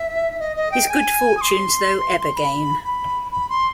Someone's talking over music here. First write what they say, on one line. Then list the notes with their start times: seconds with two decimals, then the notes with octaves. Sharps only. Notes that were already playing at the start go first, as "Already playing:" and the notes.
His good fortunes, though, ebb again.
Already playing: E5
0.39 D#5
0.56 D#5
0.71 G5
0.89 G#5
1.37 D#6
1.41 C6
2.35 B5
2.84 B5
3.32 B5
3.49 C6